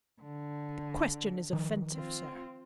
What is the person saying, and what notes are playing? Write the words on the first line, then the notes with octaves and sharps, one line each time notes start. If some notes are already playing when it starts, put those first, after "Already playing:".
"The question is offensive, sir."
D3
D#3 F3
C4 F4